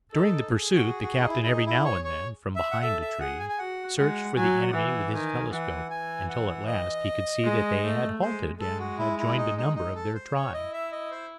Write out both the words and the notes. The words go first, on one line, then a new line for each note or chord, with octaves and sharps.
During the pursuit the captain every now and then, from behind a tree, searched for the enemy with his telescope, until at last he could see that they had halted, and had joined a number of their tribe.
D#4 A4
G#4
F#4
F#4
D#4
E4
E4
D#4
E4
C#5
C#5
E5
F#5
A4 E5
E5
G#4 F#5
G#5
G#5
F#4 F#5
G#3 F#5
F#3 G#5
F#5
E3
F#5
D#3 G#5
E3 F#5
E3 G#5
F#5
D#5
G#3
A3
G#3 C5
G#3 A4
F#4
E4
E4
D#4
D#4
D#4
A4
C5
C#5
E4 D#5
E5
D#5
C5